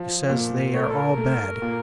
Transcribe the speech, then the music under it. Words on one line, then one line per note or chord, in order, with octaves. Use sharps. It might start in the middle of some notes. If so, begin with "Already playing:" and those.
He says they are all bad.
Already playing: F3
A#2
A3 C#5
A#4
A4
A#4
A3
A#2